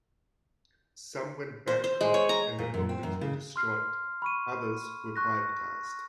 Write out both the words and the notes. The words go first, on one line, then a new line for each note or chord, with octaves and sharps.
Some went bankrupt and their buildings were destroyed; others were privatized.
C5
C5
G#3
C#5
A#5
A#2
F#2
C4
F#2
C#3
C6 F6 C7
B5 C#6 D#7
C#6 F#6 A#6